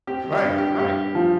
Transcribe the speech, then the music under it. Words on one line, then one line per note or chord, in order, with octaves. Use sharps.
Right. Right.
C4 G4
G4
G2
G4
G2 G4
F3